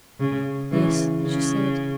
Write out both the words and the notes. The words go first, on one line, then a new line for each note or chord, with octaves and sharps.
"Yes," she said.
C#3
C#3 E3
C#3